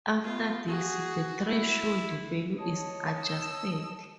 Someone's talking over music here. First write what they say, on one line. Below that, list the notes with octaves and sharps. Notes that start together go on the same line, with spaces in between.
After this, the threshold value is adjusted.
B3 F4
F#4 G#4
E4
C#5 D#5 A5
E6